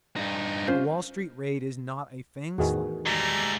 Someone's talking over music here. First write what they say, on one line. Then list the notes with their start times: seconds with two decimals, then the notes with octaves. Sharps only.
A Wall Street raid is not a fang slash.
0.16 G2 D#4
0.68 C#4 F4 C5
2.58 E2 A2 D#3 F#4 G#4 B4
3.06 G#2 G3 A3 A#5